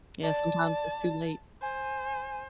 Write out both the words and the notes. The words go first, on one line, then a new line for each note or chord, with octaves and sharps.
Yeah, sometimes it's too late.
D5 A5
C5 G#5